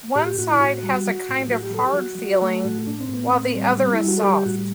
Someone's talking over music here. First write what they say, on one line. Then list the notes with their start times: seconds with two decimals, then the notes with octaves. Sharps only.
One side has a kind of hard feeling while the other is soft.
0.15 A2 G4
0.26 G4
0.38 A2 F#4
0.49 E4
0.61 A2 F#4
0.83 G3
1.06 F#3
1.29 A2
1.51 F#3 F#4
1.62 G4
1.74 F#3 A4
1.85 G4
1.97 F#3 F#4
2.19 F#3
2.42 A3
2.65 A2
2.87 A2 D4
3.00 C4
3.09 A2 B3
3.27 C4
3.33 A2
3.55 G3
3.77 G3 C4
3.93 E4
4.00 G3
4.08 F#4
4.18 A4
4.23 G3 G4
4.34 G4
4.45 A2 F#4